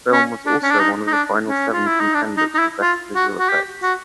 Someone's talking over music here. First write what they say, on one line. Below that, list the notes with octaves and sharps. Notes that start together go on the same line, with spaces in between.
The film was also one of the final seven contenders for Best Visual Effects.
C#4
D4
C#4
D4
D#4
D#4
D4
C#4
F4
E4
D#4
D4
D#4
D#4
E4
F4
F#4
F#4
G4
F#4